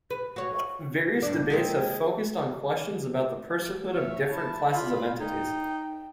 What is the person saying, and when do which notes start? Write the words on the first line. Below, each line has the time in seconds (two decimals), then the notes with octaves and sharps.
Various debates have focused on questions about the personhood of different classes of entities.
0.11 B4
0.36 F#4 C#5
1.22 G2 D4
1.50 G#3 A#3 C4
3.93 C#5 E5
4.31 E4 A5
4.71 F4 B5
5.20 D#4 G5